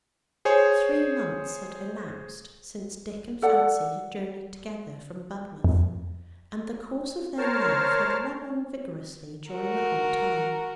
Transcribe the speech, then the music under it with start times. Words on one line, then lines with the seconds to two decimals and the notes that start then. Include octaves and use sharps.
Three months had elapsed since Dick and Fancy had journeyed together from Budmouth, and the course of their love had run on vigorously during the whole time.
0.45 G#4 C5 C#5 G#5
3.42 A4 D5 F#5
5.64 F2
7.38 A#4 C5 C#5 A5 F6
9.50 F#4 A#4